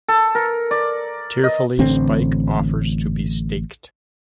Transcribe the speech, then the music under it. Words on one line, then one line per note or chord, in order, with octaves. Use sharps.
Tearfully Spike offers to be staked.
A4
A#4
D5
D#5
A1 D3 C4